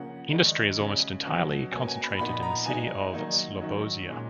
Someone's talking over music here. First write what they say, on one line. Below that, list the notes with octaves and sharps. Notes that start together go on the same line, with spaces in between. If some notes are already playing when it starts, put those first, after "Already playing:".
Industry is almost entirely concentrated in the city of Slobozia.
Already playing: C#3 F3 A#3 C#4 F#5
D#3 G#3 D#4
C#3 G#3 C#4
B2 F#3 C#4
B2 A#3 C#4 G#5
G#5
B5
A#2 F3 B3 D#4 B5
A#5
B2 G#3 D#4 G#5
D#3 F#3 A#3 D#4
D#3 F#3 C#4
A#2 G#3 C#4